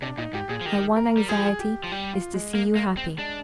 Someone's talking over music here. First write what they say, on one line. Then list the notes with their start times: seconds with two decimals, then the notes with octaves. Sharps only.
Her one anxiety is to see you happy.
0.02 C3 D4
0.18 A#2 D#4
0.33 G#2 G4
0.49 A#2 G#4
0.61 F3
0.65 D#3 G4
0.96 A#4
1.17 G3
1.28 F3 G#4
1.60 G4
1.84 F3
1.92 G3 G4
2.13 F4
2.34 G#3
2.55 A#3
2.76 A#3
2.97 C4
3.18 G#3 D4